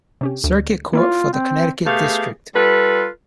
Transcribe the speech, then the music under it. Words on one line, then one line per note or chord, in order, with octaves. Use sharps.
Circuit Court for the Connecticut District.
C3 C#4 G4
D2
A#3 E4 F4 C#5
C4
A3 B3 G4 G#4 F5
G3 F4 A4 B4